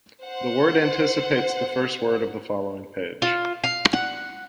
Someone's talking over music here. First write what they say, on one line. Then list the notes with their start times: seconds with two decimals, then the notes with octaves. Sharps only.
The word anticipates the first word of the following page.
0.25 C5 F#5
3.22 F4
3.64 F5
3.93 F#5